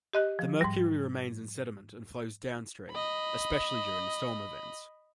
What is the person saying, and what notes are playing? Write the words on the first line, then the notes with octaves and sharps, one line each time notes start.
The mercury remains in sediment and flows downstream, especially during storm events.
G4 D#5 F#6
F3
G#2 G3
D#5 B5